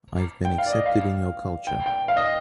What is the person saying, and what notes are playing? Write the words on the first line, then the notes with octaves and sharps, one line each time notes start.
I’ve been accepted in your culture.
G5
F5
D5
D#5
F5
G5
G5
F5
D#5